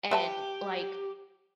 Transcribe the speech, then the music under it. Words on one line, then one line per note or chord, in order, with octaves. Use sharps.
and, like,
G4 B4 E5 A5